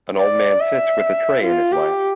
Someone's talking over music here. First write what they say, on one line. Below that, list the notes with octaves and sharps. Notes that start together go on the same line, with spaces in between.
An old man sits with a tray in his lap.
D5
E5
F4
G4